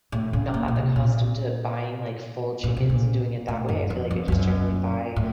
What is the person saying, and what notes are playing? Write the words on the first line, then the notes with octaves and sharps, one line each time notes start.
not accustomed to buying, like, full chickens and doing it that way. I feel like I just generally buy
A2
C#3
A#3
A#2
C3
A#2
A#2
C3
A#2
A2
F#2
F2
F2
F2
F#2
A2